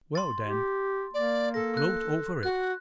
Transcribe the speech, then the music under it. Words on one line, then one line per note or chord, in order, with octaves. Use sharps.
Well then, gloat over it!
C6 A6
G4
A#3 D5
A4 A#6
F#6
F#4 F#6